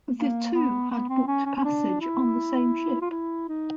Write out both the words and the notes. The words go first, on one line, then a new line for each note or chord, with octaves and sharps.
The two had booked passage on the same ship.
A#3
B3
B3
C4
C#4
C#4
C#4
D4
E4
F4
E4
D#4